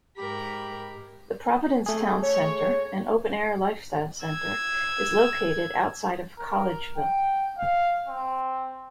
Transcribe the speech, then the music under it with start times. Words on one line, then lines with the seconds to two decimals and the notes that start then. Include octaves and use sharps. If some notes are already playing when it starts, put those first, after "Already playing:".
The Providence Town Center, an open-air lifestyle center, is located outside of Collegeville.
0.18 G#2 G4 A#4 B5
1.86 A3 G#4
2.23 C#5
4.25 E6 G#6
6.38 A#4
6.98 G5
7.59 F5
8.08 C4